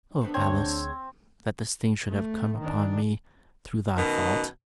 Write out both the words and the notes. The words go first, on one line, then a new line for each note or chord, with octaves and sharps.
"Oh, Alice! that this thing should have come upon me through thy fault!"
B3 C4 D4 A4
D2 G#3 C4 F#4 C#5 G#6
A3
D#3 D4
F#2 B2 D#3